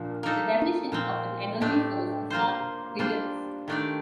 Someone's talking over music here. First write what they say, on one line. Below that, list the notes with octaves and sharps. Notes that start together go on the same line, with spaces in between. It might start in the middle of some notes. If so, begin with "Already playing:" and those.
The definition of an energy source is not rigorous.
Already playing: A#2 F3 D4
A#3 D#4 A4
A#2 F3 C4
A2 A3 D4 G4
A#3 F4 C5
G3 D4 F4 C5
D#3 A3 D4 G4 D5